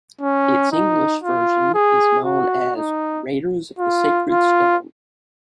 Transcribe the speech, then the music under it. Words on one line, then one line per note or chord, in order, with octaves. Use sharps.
Its English version is known as "Raiders of the Sacred Stone".
C#4
D#4
F4
G#4
F#4
D#4
F4
F4